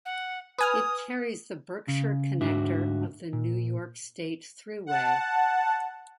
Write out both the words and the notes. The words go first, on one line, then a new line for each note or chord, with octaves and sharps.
It carries the Berkshire Connector of the New York State Thruway.
F#5
B4 G#5 D#6 F6
C#3
D2 G#2 D4 F#4 E5
A#2
F#5 A5